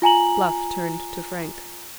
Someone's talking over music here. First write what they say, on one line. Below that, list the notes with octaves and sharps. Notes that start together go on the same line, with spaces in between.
Bluff turned to Frank.
F4 G#5 A#5 F#7